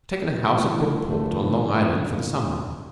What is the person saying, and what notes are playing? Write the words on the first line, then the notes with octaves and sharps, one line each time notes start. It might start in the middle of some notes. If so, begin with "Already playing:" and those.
I've taken a house at Brookport, on Long Island, for the summer.
G3
F3 A3
E3 G3
D3 F3
A3
G3
F3
C3 E3
A#2 D3